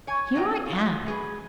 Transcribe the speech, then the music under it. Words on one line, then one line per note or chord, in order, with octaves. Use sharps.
Here I am.'
C#5 G#5
C3 F#3 A#3 D#4 A#4 G5
F#3 F4
F#2 G#4 B4